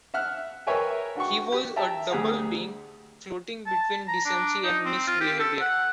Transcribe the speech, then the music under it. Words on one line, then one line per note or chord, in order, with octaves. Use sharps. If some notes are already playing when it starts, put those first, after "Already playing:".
He was a double being, floating between decency and misbehavior.
E5 F#5 F6 F#6
A#4 B4 C#5 E5 G5 G#5
D4 F#4 G5 C#6
G4
E5 G5 A5 A#5
D2 G4 G#4 F#5 A#5
A5
A#5
D4
D#4
C4
F4
G4
A4
F#5